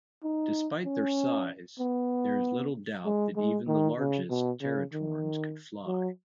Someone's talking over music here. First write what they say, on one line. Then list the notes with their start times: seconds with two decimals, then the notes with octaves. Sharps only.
Despite their size, there is little doubt that even the largest teratorns could fly.
0.23 D#4
0.85 C#4
1.79 B3
3.05 G#3
3.36 G#3
3.67 D#3
3.99 C#3
4.30 B2
4.61 C#3
4.93 D#3
5.87 F#3